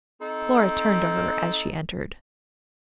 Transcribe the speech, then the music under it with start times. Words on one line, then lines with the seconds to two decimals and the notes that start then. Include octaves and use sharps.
Flora turned to her as she entered.
0.21 C4 D#4 A4